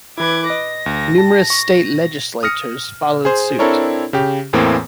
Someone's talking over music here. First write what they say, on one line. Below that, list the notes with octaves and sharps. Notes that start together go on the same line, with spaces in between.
Numerous state legislatures followed suit.
E3 E4 B4 D6 G#6
D#5 A#6
D2
A5
C#6
D#6 F6 A#6 C#7
G#4 C5
C4 D4 E4 A4 A#4 C#5
C#3 G4
E2 A2 E3 A#3 C4